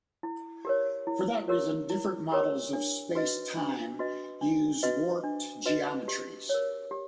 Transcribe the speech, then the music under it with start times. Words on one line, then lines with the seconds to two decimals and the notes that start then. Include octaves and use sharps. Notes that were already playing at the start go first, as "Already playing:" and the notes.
For that reason different models of space-time use warped geometries.
0.23 E4
0.65 G4 A#4 C#5
1.07 E4
1.48 G4 A#4 C#5
1.90 E4
2.32 G4 A#4 C#5
2.73 D4
3.15 F#4 B4 D#5
3.57 D4
3.99 F#4 B4 D#5
4.41 D4
4.83 F#4 B4 D#5
5.24 D4
5.65 F#4 B4 D#5
6.08 G4
6.49 A#4 C#5
6.91 G4